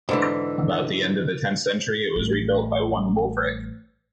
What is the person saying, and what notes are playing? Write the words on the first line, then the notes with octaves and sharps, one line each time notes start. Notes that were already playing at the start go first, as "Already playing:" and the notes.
About the end of the tenth century it was rebuilt by one Wulfric.
G#2 D3 E3
A1 G3